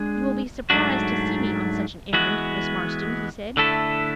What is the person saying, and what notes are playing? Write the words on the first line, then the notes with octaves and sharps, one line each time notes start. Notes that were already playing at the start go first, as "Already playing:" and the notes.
"You will be surprised to see me on such an errand, Miss Marston!" he said.
Already playing: G#3 D4 G#4
G#2 F#3 A3 D4 F#4
E3 G#3 B3 F#4
D3 A3 E4 A4